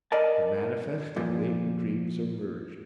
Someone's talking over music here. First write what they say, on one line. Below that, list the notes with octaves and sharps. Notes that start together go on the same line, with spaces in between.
The manifest and latent dreams are merged.
A#4 D5 D#5 A5
A#2 F3